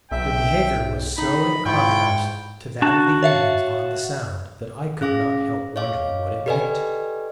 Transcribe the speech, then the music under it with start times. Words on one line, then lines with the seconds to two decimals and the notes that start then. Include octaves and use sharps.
Their behavior was so in contrast to that of the Indians on the Sound that I could not help wondering what it meant.
0.11 B1 E5 G5
1.18 A2 D#4 B5
1.66 G#2 E4 F4 G5 C#6
2.82 D4 F#4 A5
3.23 C#5 E5 F5
5.01 C#4 G#4 F5 D6 A#6
5.76 C#5 D#5 F5 D6
6.46 G4 A4 B4 D5 D#5 G#5